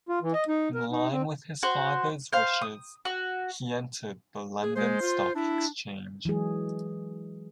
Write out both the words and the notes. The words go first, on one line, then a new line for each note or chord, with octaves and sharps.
In line with his father's wishes, he entered the London Stock Exchange.
F4
E3
D#5
D#4
A#4
D#4
C4
F#4 C5
C5 F5
D#6
F#4
G#4
G#3 C5
F4
D4 E4
E3 F#3 G#3 G#4